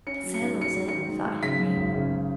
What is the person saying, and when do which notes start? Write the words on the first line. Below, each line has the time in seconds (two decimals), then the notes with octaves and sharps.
"That settles it," thought Henry.
0.07 C#4 C#7
0.24 F#3
0.34 C#7
0.41 G#2
0.57 F#3 C#7
0.75 G#2
0.88 D#3 C#7
1.08 G#2
1.26 G#2
1.42 C#3 B6
1.60 F#2
1.77 G#1
1.94 C#3
2.11 G#1